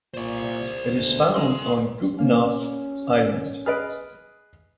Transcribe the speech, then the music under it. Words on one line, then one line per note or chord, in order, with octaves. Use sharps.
It is found on Goodenough Island.
A#2 C5 D5
D2
G#5 C6
A#3 C#4 F5
G#4 B4 D#5 F6 A6 D7